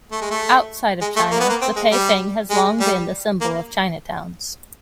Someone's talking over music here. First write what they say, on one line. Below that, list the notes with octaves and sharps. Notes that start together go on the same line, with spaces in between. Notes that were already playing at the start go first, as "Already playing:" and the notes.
Outside of China, the paifang has long been the symbol of Chinatowns.
A3
G#3
A3
G#3
A3
A#3
B3
A#3
C4
G#3
G3
G#3
G3
A#3